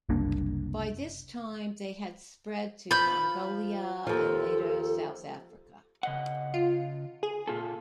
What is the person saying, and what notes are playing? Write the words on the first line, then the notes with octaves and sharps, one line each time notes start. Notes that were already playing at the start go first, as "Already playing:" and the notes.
By this time they had spread to Mongolia and, later, South Africa.
F#1 C2 A#3 D4
F3 B5 G6
D#2 F3 A4
C#3 D#5 F#5
F4
G#4
A#2 F4 A4